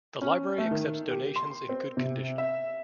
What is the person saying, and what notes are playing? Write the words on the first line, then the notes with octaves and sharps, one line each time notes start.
The library accepts donations in good condition.
C#4
A3
D#3
G4
C6
C4
C3
E5